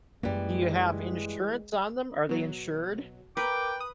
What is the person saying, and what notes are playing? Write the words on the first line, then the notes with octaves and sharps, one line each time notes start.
Do you have insurance on them? Are they insured?
F#2 E3 G3 G#3 A#3
B2 F#3
A#4 B4 G5 D6
D#6